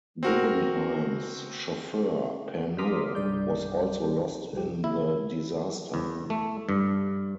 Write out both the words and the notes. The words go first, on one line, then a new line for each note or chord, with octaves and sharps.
Guggenheim's chauffeur, Pernot, was also lost in the disaster.
C4 F#4 A#4
A#5 C6 D6 D#6 F6 B6
C2 G2 D5 G6
C2 G4
E4
E2
A3
G2